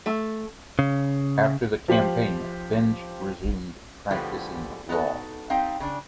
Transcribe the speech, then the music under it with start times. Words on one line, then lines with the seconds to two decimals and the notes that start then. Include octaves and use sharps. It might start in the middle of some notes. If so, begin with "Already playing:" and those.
After the campaign, Finch resumed practicing law.
0.06 A3
0.79 C#3
1.88 F3 G4 C5 F#7
4.11 A2 D3 F3 G3 G#3 B3
4.89 B3 D#4 F#4 A4
5.50 G3 C4 D#4 F5 G5
5.80 C#3 D4